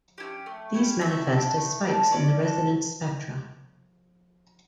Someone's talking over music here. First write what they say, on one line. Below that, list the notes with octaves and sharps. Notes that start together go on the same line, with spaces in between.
These manifest as spikes in the resonance spectra.
E4 G4
C#4
A3
C#4 E4 G4
A3 E5
D4 A4
A3
D4 A4
C#4 D5
F#4 A4